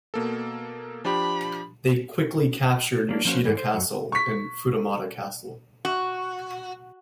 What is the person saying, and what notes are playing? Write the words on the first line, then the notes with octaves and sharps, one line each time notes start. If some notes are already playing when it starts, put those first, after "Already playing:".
They quickly captured Yoshida Castle and Futamata Castle.
B2 A#3 A4
F3 D4 G4 B5
F#3 A#3 D4
F3 A#3 C#4 D4 F#4 C5
G#2 E3 G3
C5
F#2 F#3
C#6 B6
F#4